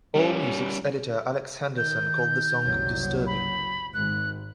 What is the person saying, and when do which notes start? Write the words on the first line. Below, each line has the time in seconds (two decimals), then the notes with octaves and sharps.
AllMusic's editor Alex Henderson called the song "disturbing".
0.15 G3 C#4
1.78 D#3 G6
2.65 F#1 C2 F#3
3.27 B5
3.94 G#1 G#2 F#6